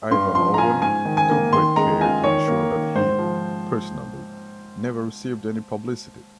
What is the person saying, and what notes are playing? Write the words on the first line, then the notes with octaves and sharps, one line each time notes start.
Ivan Owen took great care to ensure that he, personally, never received any publicity.
G2 C6
F3 C6
A#5
F4 G#5
G#2 G#5
D#3
G#5
A#3
D#3 C6
G#3 A#5
F4 G#5
D#3 C#5
A#3
D#3
G#2 C5
F3